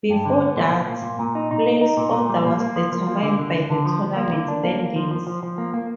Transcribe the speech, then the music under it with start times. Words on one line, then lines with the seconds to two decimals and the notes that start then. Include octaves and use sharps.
Before that, place order was determined by the tournament standings.
0.09 G2
0.25 D3
0.41 B3
0.56 A#2
0.72 A#2
0.88 A#3
1.03 A#2
1.19 A#2
1.35 D#4
1.51 D#4
1.66 D#4
1.81 D#4
1.97 A#2
2.13 A#2
2.29 G3
2.45 A#3
2.60 A#3
2.76 F3
2.92 F3
3.07 A#3
3.23 D3
3.39 D3
3.54 D3
3.70 D3
3.85 F3
4.02 F3
4.17 A#3
4.33 D3
4.48 D4
4.64 A#3
4.80 A#3
4.96 F3
5.11 F3
5.27 F3
5.43 F3
5.58 A#3
5.74 A#3